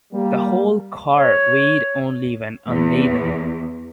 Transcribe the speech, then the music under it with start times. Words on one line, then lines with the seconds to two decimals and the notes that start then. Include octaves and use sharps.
The whole car weighed only when unladen.
0.13 G3 A#3
1.16 C#5
2.70 E2